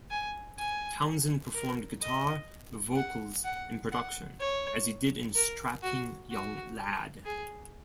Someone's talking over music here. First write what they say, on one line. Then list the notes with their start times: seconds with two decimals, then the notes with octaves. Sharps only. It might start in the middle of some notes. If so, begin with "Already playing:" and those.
Townsend performed guitar, vocals, and production, as he did in Strapping Young Lad.
0.11 G#5
0.58 G#5
1.54 A#4
2.01 D#5
2.96 F#5
3.44 F#5
3.92 F#5
4.40 C#5
5.35 A#4
5.83 F#4
6.30 F#4
7.26 G#4